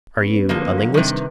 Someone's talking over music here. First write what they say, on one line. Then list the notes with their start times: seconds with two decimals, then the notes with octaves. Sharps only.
"Are you a linguist?"
0.19 B3 C#4 B4
0.49 D3 F3 A#3
0.78 F#3
0.94 C3 D#3 G3 D4
1.10 B4